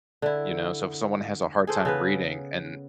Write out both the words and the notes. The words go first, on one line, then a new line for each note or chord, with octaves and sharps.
you know, so, if someone has a hard time reading and
D3 E4
G#4 A4 C5
C#3 B3 B4